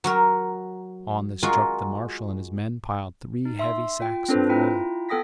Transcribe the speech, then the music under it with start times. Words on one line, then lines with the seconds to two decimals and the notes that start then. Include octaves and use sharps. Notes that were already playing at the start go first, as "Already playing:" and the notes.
On this truck the marshal and his men piled three heavy sacks of wool.
0.04 F#3 F#4 A#4
1.43 G#3 F4 F#4 A#4
3.45 D#4
3.59 E5 C6 E6
4.00 F4 G5
4.28 C4 D4 F4 A4 B4 C5
4.49 E4 F4 G5 A#5
5.09 B3 A4 G5 D#6 A#6 B6